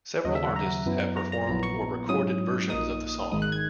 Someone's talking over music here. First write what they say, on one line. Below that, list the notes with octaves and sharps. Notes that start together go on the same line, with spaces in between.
Several artists have performed or recorded versions of the song.
D#2 C#3 F#3 D#5
E5
F#5
A#5
F#2 E3 B3 E4
A#5
A#5
A#1 A#2 F#3 B3 E4 A#5
C#6
G#2 F#3 C#4 E4 D#6
A#1 A#2 A#3 D#4 D#6
G#1 G#2 D#3 G#3 D#6
F#6
G#6